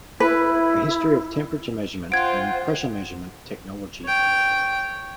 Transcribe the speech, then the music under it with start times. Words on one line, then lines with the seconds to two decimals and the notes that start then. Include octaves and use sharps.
A history of temperature measurement and pressure measurement technology.
0.20 E4 B4
2.12 F4 C5 F#5 G5 G#6 D7
4.04 C#5 G5